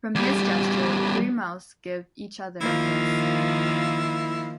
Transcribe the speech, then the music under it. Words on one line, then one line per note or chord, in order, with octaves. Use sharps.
From his gesture, three mouths give each other a kiss.
E2 G3
D#3 F3 A#3 E4